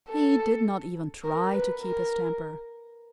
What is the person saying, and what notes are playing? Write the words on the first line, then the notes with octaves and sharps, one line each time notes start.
He did not even try to keep his temper.
A4
A#4
B4
A#4